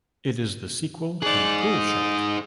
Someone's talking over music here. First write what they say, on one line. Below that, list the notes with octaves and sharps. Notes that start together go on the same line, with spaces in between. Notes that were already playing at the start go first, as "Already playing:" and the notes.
It is the sequel to "Pool Shark".
D#4 G#4 D5 F#6
D#5